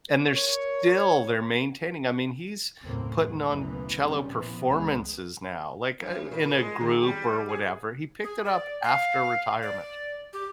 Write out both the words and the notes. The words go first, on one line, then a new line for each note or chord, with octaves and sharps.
And they're still they're maintaining I mean, he's putting on cello performances now, like, uh, in a group or whatever. He picked it up after retirement.
A#4 C#5
F#1 D#2 A2 C#3 A#3 C4
D#2 D3 G#3 A3
F#1 D2 B2 E3 A#3 B3
C3 D#3 G3 C#4
A#2 E3 F3 B3
C#2 G#2 F3 G#3 B3
F#2
A#2
G#3
D#3
G3
G#4
G#4
D5
F5
D5
G4